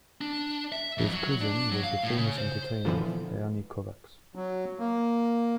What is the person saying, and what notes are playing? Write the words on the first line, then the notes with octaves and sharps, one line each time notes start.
His cousin was the famous entertainer Ernie Kovacs.
D4
E5
F2
F#3
D4
F#3
F5
A2
C#3
C5
A#2 D3 E3 F3 B3
F#3
A#3